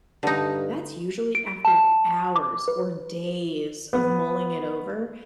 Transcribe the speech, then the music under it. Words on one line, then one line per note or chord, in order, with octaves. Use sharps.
that's usually after hours or days of mulling it over,
G2 D3 D#4
D7
A5
D6
B4
B3